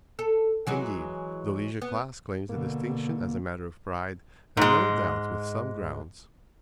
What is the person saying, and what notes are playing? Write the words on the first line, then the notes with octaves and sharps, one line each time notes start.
Indeed, the leisure class claims the distinction as a matter of pride, and no doubt with some grounds.
A4
E3 F#3 G#3
B3
B2 D3 A#3
G#2 G#3